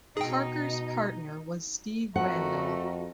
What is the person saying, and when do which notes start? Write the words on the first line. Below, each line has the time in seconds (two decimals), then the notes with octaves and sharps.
Parker's partner was Steve Randell.
0.17 B2 D#4 G#4 G5
2.16 F2 A3 F#4 A#4 F#5